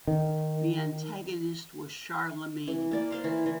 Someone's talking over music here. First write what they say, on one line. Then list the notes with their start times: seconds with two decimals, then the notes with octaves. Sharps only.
The antagonist was Charlemagne.
0.08 D#3
2.67 E3
2.91 A#3 D5
3.11 C5 F5 C6
3.24 E3
3.46 E3